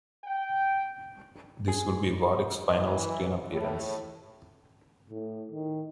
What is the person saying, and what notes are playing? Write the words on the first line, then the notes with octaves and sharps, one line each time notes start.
This would be Warrick's final screen appearance.
G5
G#4
E3
A2
A2
D#3